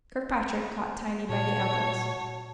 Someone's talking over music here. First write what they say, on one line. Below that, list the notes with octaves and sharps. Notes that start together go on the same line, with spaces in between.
Kirkpatrick caught Tiny by the elbows.
A#2 F#4 C#5 A5